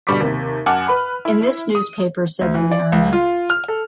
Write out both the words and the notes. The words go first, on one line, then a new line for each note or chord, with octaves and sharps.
"In this newspaper," said the mariner.
B2 D3 G3 C#6 D6 B6
D#2 C3
F#2 F#5 G#5 A5 D6 F6
B4 B5
E4
D#6
D2
E3
D5
C#2
F4
F6
A4